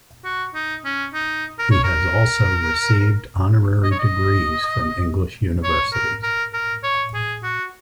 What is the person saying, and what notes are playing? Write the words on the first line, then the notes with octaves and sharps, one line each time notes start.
He has also received honorary degrees from English universities.
F#4
D#4
C#4
D#4
A#4
C#5
A#4
D#5
C#5
D#5
C#5
A#4
A#4
A#4
C#5
G#4
F#4